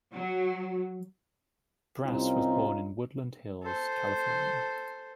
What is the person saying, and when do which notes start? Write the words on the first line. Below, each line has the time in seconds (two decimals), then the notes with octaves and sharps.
Brass was born in Woodland Hills, California.
0.13 F#3
2.05 C2 C4 C#4 D#4 F4
3.63 A4 C5